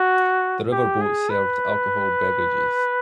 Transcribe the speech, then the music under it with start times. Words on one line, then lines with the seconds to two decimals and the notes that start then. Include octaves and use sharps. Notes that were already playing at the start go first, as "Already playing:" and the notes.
This river boat served alcohol beverages.
Already playing: F#4
0.72 G4
1.01 G#4
1.29 B4